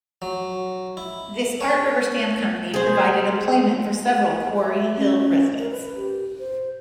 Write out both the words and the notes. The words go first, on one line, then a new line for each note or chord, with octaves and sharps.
This art rubber stamp company provided employment for several Quarry Hill residents.
F#3
E4
C#5
G#4 C5
E5
C#4
A#4
B4
G4
C5